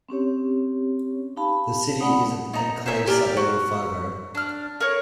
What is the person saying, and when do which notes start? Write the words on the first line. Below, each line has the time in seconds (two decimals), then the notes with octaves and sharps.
The city is an enclave suburb of Fargo.
0.09 C4 C#4 G4 C#5
1.37 D#4 G4 F5 A5 B5
2.00 A3 C#4 D5 F#5 B5 D#6
2.54 D#4 A#5
2.86 C5 C#5 E5 G#5
3.07 G4 A#4 D5
3.37 F#4
4.35 D4 F6
4.81 A#4 C#5